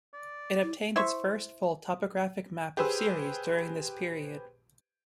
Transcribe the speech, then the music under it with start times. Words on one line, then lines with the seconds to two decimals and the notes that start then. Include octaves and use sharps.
It obtained its first full topographic map of Ceres during this period.
0.14 D5
0.63 E4
0.96 E4 C5 E5 C#6
2.77 G4 G#4 B4 C5 E6